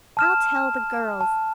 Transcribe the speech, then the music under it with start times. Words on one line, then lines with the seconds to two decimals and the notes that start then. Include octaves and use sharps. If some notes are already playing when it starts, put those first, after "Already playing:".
I'll tell the girls.
0.17 A5 F6 E7
1.21 A5